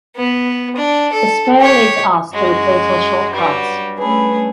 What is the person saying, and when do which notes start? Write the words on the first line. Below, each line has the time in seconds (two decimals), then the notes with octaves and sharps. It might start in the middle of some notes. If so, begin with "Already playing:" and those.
Despair leads us through fatal shortcuts.
0.16 B3
0.76 D4
1.13 A4
1.58 G4 C#5
2.33 F#2 G#3 F#4
3.33 G2 F#3 G3 F#4
3.98 A3 C#4 G#4 A4 B4